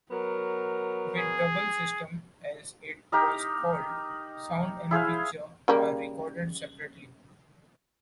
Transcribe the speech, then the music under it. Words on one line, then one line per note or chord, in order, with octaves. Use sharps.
With double system, as it was called, sound and picture are recorded separately.
F#3 B3 A#4
G#4
D#4 G4 A#4 D#5
E4 G#4 C5 F5
C#3 G3 A#3